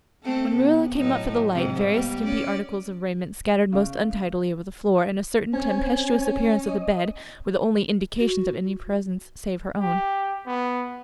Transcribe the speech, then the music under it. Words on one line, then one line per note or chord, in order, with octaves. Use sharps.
When Marilla came up for the light various skimpy articles of raiment scattered most untidily over the floor and a certain tempestuous appearance of the bed were the only indications of any presence save her own.
A3 C4 A4
C3 B3
A2 F#3 D#4
G#2 C3
G3 A#3 B3
C#4 D5
C#3
C4 C#4 G#5
D#5
F#4
G4
B3